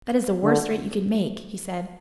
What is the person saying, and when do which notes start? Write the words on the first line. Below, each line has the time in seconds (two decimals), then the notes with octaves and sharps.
"That is the worst threat you could make," he said.
0.44 D3